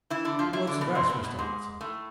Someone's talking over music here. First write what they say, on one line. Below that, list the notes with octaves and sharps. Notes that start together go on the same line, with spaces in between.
"What's the rest, Mr. Watson?"
E3 E4
D3 D4
F3 F4
E3 E4
D3 D4
B2 B3
C3 C4
B2 B3
B2 B3
G#2 G#3
A2 A3